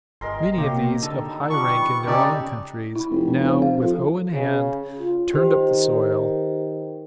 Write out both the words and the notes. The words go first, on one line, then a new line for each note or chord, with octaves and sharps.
Many of these, of high rank in their own countries, now, with hoe in hand, turned up the soil.
G1 G#3 A#4 C6
C3 F#3 A#3 G4
D3 D#4 A4
F3 G3 F#5 C#6
B3
C#3 C#4 D#4 G4 D5 A5 D#6 E6
E4 B5
F1
C4
C5
F5
F3 A4
C#3
F4
D#3 G4 C5